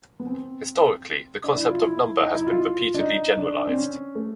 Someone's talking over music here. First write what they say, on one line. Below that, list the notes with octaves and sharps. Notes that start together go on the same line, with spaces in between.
Historically, the concept of number has been repeatedly generalized.
B3
C4
D4
E4
F4
E4
D#4
E4
F4
F4
D4
D#4
D4
C4
C#4
A3